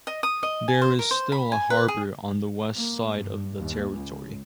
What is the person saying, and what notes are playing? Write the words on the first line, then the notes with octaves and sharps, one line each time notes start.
There is still a harbour on the west side of the territory.
D#5
D#6
D#5
G#5
C5
A#4
C5
B5
G#5
B4
G#4
A#3
G2
D#2
C#2